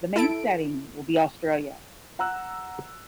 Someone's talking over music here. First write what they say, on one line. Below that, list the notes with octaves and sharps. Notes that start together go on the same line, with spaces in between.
The main setting will be Australia.
E4 A4 D7
F#5 A#5 E6 F#6